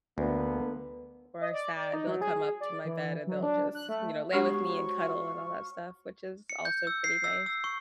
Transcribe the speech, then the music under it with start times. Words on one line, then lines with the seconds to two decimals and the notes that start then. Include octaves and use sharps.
or sad, they'll come up to my bed, and they'll just, you know, lay with me and cuddle and all that stuff, which is also pretty nice.
0.18 D2 D3 A#3 B3
1.41 D#5
1.54 D5
1.75 D5
1.93 D#4
2.07 F#3
2.22 G#4
2.60 D5
2.85 E3
3.27 F#3
3.43 D4
3.75 F#6
3.89 A3
4.33 F#3 G#3 B3 D4 G4 C#5 C#6
4.70 C5
5.01 F4
6.50 C#7
6.65 G6
6.87 E6
7.04 C7
7.24 E6
7.46 E6
7.64 C#6